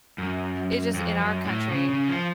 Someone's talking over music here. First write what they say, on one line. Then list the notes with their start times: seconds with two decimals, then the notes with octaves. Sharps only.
it's just in our country,
0.18 F#2
0.94 F2
1.19 F#2
1.45 A2
1.70 C#3
1.90 C#3
2.09 F3